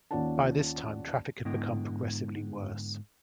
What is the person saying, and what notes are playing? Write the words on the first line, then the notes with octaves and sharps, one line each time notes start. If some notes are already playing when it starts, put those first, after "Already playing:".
By this time, traffic had become progressively worse.
D#2 C#4 F4 D5 F#5 A5
G#2 D3 B3 E4 D#5 G5